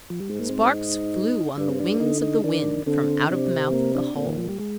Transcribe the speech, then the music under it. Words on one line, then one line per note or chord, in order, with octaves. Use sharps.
Sparks flew on the wings of the wind from out of the mouth of the hole.
F3
G3
G#2 G#3
A#3
C4
D#4
G2 D4
C4
D4
D3 D#4
D#4
D#3 D4
D3 C4
C3 D4
C4
A#3
D4
A#2 C4
D#3
F3
G3
G#3